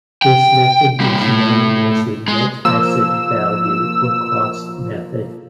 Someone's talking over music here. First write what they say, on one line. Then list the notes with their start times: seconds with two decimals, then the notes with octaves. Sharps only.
This method is known as the net asset value or cost method.
0.22 G5
1.00 G3 A#3
1.21 A2
2.28 G#3
2.65 F3 A#3 E6